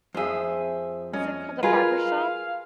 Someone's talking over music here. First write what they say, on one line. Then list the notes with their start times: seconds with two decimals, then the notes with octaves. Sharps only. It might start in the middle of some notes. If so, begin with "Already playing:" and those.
what's it called, The Barbershop?
0.14 F2 G#4 C5 E5
1.13 C#4 D#5
1.63 F4 G#4 A#4 B4 F5